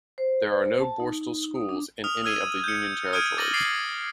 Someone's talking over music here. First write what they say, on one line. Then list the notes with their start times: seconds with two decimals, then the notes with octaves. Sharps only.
There are no borstal schools in any of the union territories.
0.18 C5
0.80 A5
1.00 D#4
1.21 D#4
1.55 D#6
1.69 D4
2.04 D#6 F6 F7
2.24 E6 F6 G#6 D#7
2.64 G6 C#7
3.13 D#6 F6 G6 G#6 D7 D#7
3.38 D6 A6 A#6 D#7 F#7
3.54 D6 A6 C7 D7 F#7